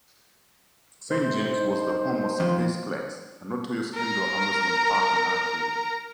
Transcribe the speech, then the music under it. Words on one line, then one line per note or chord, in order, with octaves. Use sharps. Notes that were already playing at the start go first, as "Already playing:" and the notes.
Saint James was the home of Spaceplex, a notorious indoor amusement park and arcade.
C3 C5
D#4
F2
A#4 A#5